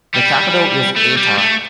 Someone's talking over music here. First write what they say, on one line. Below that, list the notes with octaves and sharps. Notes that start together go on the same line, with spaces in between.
The capital is Atar.
G3
A3
G3
A3